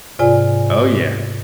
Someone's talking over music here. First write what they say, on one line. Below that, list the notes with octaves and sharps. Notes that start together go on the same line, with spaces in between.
Oh, yeah
G#2 C3 F4 D5 G#5